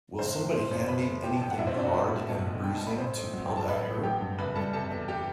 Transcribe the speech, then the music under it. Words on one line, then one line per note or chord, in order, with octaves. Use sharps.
Will somebody hand me anything hard and bruising to pelt at her?
F#1 C5 C6
A3
E3 C5 C6
F#2 C5 C6
F#1 B4 B5
A3
E3 G4 G5
A5
F#2 G5
F#5
B1 E4 E5
C4 C5
B1 D4 D5
F#4 F#5
G3 B4 B5
A2
B1 A4 A5
B1
G3 G5
A2 A5
B5
A1 C5 C6
A3
F#3
G5
G2
A5
A1 B4 B5
A3
F#3 G4 G5
G2
F#1 B4 B5
G3 A4 A5
C3 A4 A5
E2
G4 G5